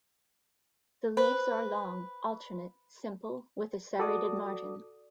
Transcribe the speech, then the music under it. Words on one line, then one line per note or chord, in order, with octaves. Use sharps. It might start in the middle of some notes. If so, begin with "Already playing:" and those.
The leaves are long, alternate, simple, with a serrated margin.
B4 C5
F#4 A4 D5 D6 D#6